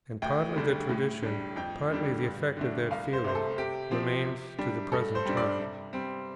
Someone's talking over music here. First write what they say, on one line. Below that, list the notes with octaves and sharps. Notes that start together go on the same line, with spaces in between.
And partly the tradition, partly the effect of that feeling, remains to the present time.
D2 G5
D3 G3 D4
A2
G3 D4
F2 G5
D3 G3 D4
G2
D3 A3 D4
C2 F5
C5
C3 A3 C5
A4
C3 G4
F3 C4
C3
G3 D4
G2 A4
C5
G3 D4
D5
C3
G3 C4